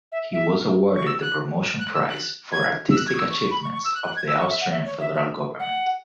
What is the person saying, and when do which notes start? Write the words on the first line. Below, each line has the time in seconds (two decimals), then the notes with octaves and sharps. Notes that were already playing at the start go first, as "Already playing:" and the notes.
He was awarded the Promotion Prize for Artistic Achievements of the Austrian Federal Government.
0.11 E5
0.33 E5
0.95 C#6
1.06 E6
1.21 F#6
1.79 F#6
1.93 E6
2.08 F#6
2.52 G#6
2.90 E6
2.96 F#6
3.07 G#6
3.13 C#6
3.17 E6
3.29 C#6
3.40 C#6
3.50 B5
3.62 C#6
3.73 C#6
3.84 E6
3.94 F#6
4.05 F#6
4.16 G#6
4.27 E6
4.39 C#6
4.49 E5
4.60 F#5
4.71 E5
4.85 C#5
5.00 E5
5.14 E5
5.59 F#5